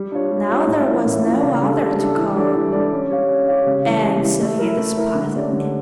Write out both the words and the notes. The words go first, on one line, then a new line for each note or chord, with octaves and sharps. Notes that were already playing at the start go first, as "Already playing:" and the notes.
Now there was no other to court, and so he despised it.
Already playing: G3
D4 F4 C#5
G3
D4 F4 C#5
A2
E3 A#3 C#4 F4
A2
E3 A#3 C#4 F4
C#3
G3 D4 A4
C#3
G3 D4 A4
E3
G3 D4 A4 D5
E3
G3 D4 A4 D5
C#4
G4 C#5 F5
C#4
G4 C#5 F5
C#3
E3 G3
C#3
E3 G3
A3
E4 A#4
A3
E4 A#4
D3
A3 C#4 G4 D5
D3